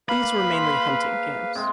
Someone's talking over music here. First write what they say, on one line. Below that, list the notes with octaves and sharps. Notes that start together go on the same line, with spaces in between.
These were mainly hunting camps.
A#3 B4 F5 B5
G#4 C5
C3 G#3